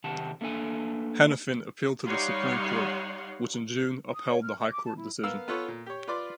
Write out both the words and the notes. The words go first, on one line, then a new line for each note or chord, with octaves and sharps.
Hanafin appealed to the Supreme Court, which in June upheld the High Court decision.
C3 D#3 G4 F#5 A5
A3 A#3 D4 A4 G#5
G3 D#4 C#5 F5 F#5 C6
D#6
C#5
F6
D#5
D6
A5
E4
B3 A#4 F5 E6
B3 F4 A4 B4 C#5
A#2
G4 C#5
F4 B4 D5 C6 D6